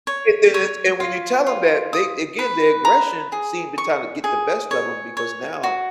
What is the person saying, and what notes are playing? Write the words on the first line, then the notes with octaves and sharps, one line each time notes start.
And then it's and when you tell 'em that, they again, their aggression seem the time the get the best of 'em because now,
C#5
C#5
F4
F4
D#6
B4
A#5
G#4
C#6
G#4
C#5
C#5
F#4